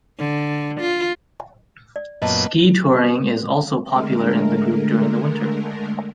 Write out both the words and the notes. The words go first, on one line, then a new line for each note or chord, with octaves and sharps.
Ski touring is also popular in the group during the winter.
D3
F4
D5
F#2 A#2 B3 D#5 A5
D3 G#3 A3 A#4